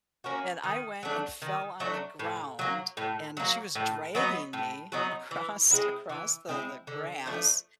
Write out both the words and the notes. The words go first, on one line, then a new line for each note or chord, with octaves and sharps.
and I went and fell on the ground, and she was dragging me across across the the grass,
A#3 C#4 F#4
D#3
F#3 A3 D4
D#3
F#3 A3 D4
A2
F#3 A#3
A2
F#3 A#3
A2
F#3 B3 D#4
A2
F#3 B3 D#4
E3
G#3 C4 E4
E3
G#3 C4 E4
D3
F3 A3 D4